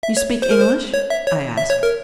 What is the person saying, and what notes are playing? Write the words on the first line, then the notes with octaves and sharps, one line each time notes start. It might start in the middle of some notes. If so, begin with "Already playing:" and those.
"You speak English?" I asked.
E5
C#5
C5
A#4
C5
C#5
E5
C#5
E5
C#5
A#4